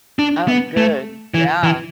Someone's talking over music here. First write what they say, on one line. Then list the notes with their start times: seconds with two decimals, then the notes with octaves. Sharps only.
Oh, good. Yeah.
0.19 D4
0.48 B3
0.77 A3
1.34 E3
1.63 E3